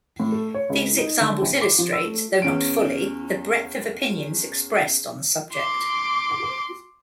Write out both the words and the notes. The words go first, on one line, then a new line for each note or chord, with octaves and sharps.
These examples illustrate, though not fully, the breadth of opinions expressed on the subject.
A2
A3
C#5
C#2
D#4
D3
A#1
D6
F3
E6
A3
E2 C#4 D7
C6 D6